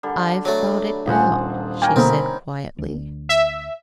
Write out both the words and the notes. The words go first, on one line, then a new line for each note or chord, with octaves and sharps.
"I've thought it out," she said quietly.
D3 G3
F#3 A3
D#1 F4 G#4 C5 F#5
A#3 C#4 A#4 G5 G#5
B2 D3 A#3 C4 D#4 B5
D2
E5